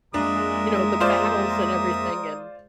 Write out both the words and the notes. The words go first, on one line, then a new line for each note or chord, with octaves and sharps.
you know, the battles and everything and
F2 G#3 A#3 D4 A#4 E5 D#6
F4 C5 D5